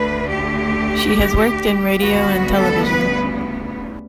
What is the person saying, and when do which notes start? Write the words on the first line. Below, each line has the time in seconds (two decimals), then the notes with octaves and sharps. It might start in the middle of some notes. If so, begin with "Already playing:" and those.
She has worked in radio and television.
Already playing: D2 D3 A3 B4
0.28 G4
2.00 D2 C#3 G3 B3 F#4
2.57 A4
2.86 B4